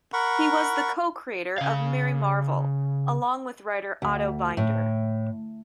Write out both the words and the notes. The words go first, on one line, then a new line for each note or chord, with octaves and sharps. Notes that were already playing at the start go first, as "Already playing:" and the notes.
He was the co-creator of Mary Marvel, along with writer Otto Binder.
A#4 F#5 B5 C#6
C#3 F5
D2
A2